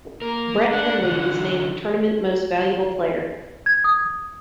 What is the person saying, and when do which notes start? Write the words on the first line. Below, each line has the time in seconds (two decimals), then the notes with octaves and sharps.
Brett Hendley was named Tournament Most Valuable Player.
0.22 A#3 A#4
0.72 D4 F#5
1.05 D3 E3
3.66 G#6
3.84 D#6